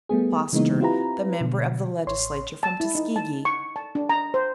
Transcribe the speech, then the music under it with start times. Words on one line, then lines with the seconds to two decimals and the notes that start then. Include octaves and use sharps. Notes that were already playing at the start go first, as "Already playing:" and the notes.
Foster, the member of the Legislature from Tuskegee.
0.09 G3 A3 B3 G#4
0.53 C#3 E3 G#3 A#3 B3 D#4
0.80 C4 E4 F4 G4 B4 A#5
1.41 B2 D3
2.07 A1 C#5 C6
2.63 A5
2.80 E4
2.95 D#4
3.16 A5
3.45 C#6
3.76 A5
3.95 D4
4.09 A#5
4.34 C5